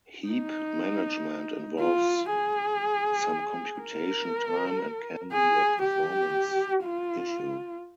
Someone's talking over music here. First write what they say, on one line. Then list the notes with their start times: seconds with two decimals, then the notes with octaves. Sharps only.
Heap management involves some computation time and can be a performance issue.
0.28 D#4
1.79 F4
2.29 G#4
3.80 A#4
5.32 G#4
5.82 G4
6.83 F4